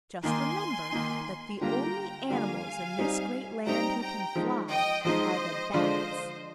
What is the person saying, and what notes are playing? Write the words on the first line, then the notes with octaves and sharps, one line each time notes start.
Just remember that the only animals in this great land who can fly are the Bats.
D#3 A#3 D#4 G#5 C6
D#3 A#3 D#4
D3 G3 A#3 F4 G5 A#5
D3 G3 A#3 F4 F5 G#5
G3 C4 D#4
G3 C4 D#4 G5 A#5
G5 A#5
F3 G#3 D#4
D#5 G5
F3 G#3 D#4 C5 D#5
D3 F3 G#3 D4 F4 C5 D#5